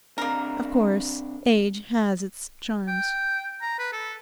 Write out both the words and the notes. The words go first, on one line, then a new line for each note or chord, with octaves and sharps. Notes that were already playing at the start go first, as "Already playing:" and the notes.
Of course, age has its charms.'
C3 A#3 D4 A#4
G5
A#5
B4
A4